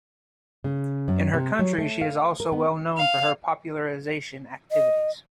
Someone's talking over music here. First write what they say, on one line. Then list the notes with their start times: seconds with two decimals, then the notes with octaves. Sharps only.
In her country she is also well known for her popularization activities.
0.64 C#3
1.08 F#2
1.34 C3
1.59 F#3
1.78 A3
2.01 F5
2.40 A#4
2.52 B3
2.98 F5
4.72 D#5